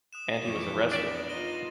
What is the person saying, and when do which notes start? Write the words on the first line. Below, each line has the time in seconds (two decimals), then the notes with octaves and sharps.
And he was arrested.
0.13 D#6 F#6 E7
0.43 F2 E3 C#5 D6
0.91 B3 D4 A#4 D5 E5 A#6 F#7
1.29 D#4 F4 A#6 D#7 G7